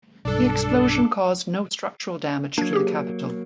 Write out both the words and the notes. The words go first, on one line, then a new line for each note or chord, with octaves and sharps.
The explosion caused no structural damage to the Capitol.
B1 G2 D4 A4
F#3 A#3 D4 G#6
G4 G#4